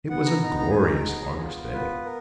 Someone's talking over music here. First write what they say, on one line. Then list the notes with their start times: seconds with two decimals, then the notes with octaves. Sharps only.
It was a glorious August day.
0.10 B3 F#5
0.26 A#5
0.43 D#4 A#5
0.59 A#5
0.70 G#4 G#5
0.82 A#5
1.08 B3
1.41 F4
1.73 B3 B4
2.05 A#4